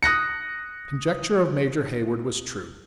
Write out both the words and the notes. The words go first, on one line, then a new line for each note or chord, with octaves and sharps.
The conjecture of Major Heyward was true.
D#6 F#6 A#6 C#7